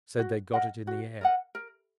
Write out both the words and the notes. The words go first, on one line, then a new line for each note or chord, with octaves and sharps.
Said they got it in the air.
F#4
A#4 D#5 F#5
F#4
A#4 D#5 F#5
A#4